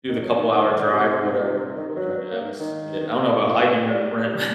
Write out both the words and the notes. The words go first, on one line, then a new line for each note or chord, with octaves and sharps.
do the couple hour drive or whatever and go try to at least see it. I don't know about hiking around the rim.
D#3
F#3
D#3
D#3
D3
A#2
C3
A#2
C3
C3
C3
D#3
D#3
F#3
A#3
D#3
D#3
C3
D3
A#2
A2
A#2
G3
G3